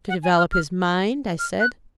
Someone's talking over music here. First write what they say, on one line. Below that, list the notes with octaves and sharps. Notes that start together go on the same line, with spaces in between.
"To develop his mind," I said.
F#5
G#5
F6
F6
F6
F#6